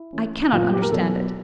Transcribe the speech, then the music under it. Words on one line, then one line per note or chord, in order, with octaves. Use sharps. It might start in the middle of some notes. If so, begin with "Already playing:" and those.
I cannot understand it.
Already playing: E4
E3 A3 C#4
A#2 F#3 B3 F4
G4
A#4
B2 F#3 B3 A4